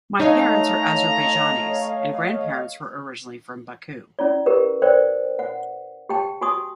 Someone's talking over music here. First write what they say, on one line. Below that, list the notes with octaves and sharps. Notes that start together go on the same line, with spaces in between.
My parents are Azerbaijanis, and grandparents were originally from Baku.
A3 D#4 C#5 D#5 F5 A#5
C#4 E4 D5
G4 A#4 B4
A#4 C5 D5 G5
F#5
G4 G5 A5
F#4 G#5 C#6 D#6